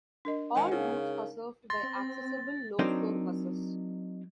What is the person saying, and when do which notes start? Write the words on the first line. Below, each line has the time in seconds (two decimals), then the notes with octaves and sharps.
All routes are serviced by accessible low floor buses.
0.25 D4 A#4 D#5
0.56 D#3 G#3 C5 F#5 G#5 C#7
0.71 C#3 D#4 A#4 F5
1.70 C6 A6 A#6
1.83 C4
2.79 F#3 C4 D4 D#4 A#4 C5